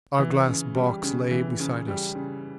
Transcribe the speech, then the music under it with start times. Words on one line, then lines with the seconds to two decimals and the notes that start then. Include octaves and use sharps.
Our glass box lay beside us.
0.19 E3
0.47 C#3
0.75 G3
1.03 C#3
1.31 E3
1.60 C#3
1.88 G3
2.15 C#3